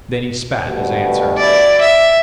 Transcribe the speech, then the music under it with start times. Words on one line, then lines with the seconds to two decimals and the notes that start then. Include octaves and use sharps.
Then he spat, as answer.
0.65 D2 G2 B2
1.37 E4 D5
1.81 E5